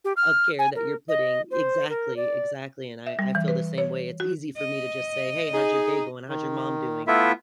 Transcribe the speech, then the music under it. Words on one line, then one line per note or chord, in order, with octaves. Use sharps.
of care that you're putting Exactly, exactly, and I, I feel the same way. It's easy for me to just say, "Hey, how's your day going? How's your mom doing?"
G4
F6
G#5
A#4
D#5
C5
A#4
D5
E5
G3
E3
B4
C#5
F#4
D#5
D#4 G#4
D#3
A3 B3 E4 F4 E5